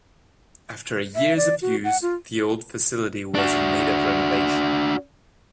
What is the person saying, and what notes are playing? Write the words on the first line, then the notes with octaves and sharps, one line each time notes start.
After years of use the old facility was in need of renovation.
E5
D5
F#4
F#5
F4
D4 F#4